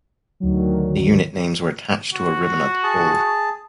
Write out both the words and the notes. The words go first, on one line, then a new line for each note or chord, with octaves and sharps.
The unit names were attached to a ribbon at the pole.
D2 D#3 F#3
F#4
G#4 A5